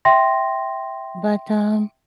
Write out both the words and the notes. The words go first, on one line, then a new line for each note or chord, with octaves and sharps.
but, um,
E5 G5 C6 A#6